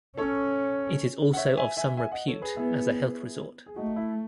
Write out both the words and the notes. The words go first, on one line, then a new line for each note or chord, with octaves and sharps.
It is also of some repute as a health resort.
C#4 A4 C#5
F#5
C#5 E5
E5 G#5
E5 G#5
E5 G#5
D#5 F#5
A4 C#5
G#4 B4
B3 E4 G#4
G#4
A3 D#4 F#4
E4